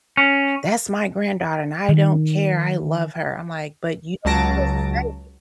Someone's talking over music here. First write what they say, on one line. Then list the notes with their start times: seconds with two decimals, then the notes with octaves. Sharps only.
"That's my granddaughter, and I don't care, I love her." I'm like, "But you don't feel safe."
0.17 C#4
1.89 D#3
4.25 C#2 F#3 A5 A#6 D7